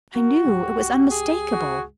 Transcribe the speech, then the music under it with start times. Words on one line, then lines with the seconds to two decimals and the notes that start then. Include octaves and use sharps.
I knew; it was unmistakable.
0.15 D#4 F#4 A#4
0.45 C#2 G#2 G4
1.11 G#4
1.52 F#4